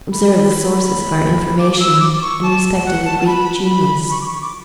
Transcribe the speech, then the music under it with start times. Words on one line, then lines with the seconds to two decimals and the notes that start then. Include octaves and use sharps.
Observe the sources of our information in respect to the Greek genius.
0.12 B5
1.58 D6
1.72 D6
1.80 E6
2.00 D6
2.13 D6
2.22 C#6
2.43 A5
2.85 F#5
3.05 A5
3.20 A5
3.27 B5
4.11 C#6
4.21 D6
4.26 C#6
4.41 D6